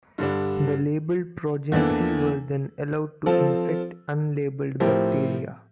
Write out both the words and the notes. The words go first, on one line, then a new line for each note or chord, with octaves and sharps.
The labeled progeny were then allowed to infect unlabeled bacteria.
G2 D3 G3 D4
E2 E3 A#3 D4 A4
F3 C4 F4 A4
A2 F3 C4 G4 A#4